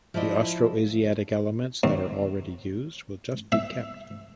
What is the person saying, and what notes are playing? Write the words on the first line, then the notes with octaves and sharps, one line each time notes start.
The Austroasiatic elements that are already used will just be kept.
F3 E4 D5 D#5
D#2
E5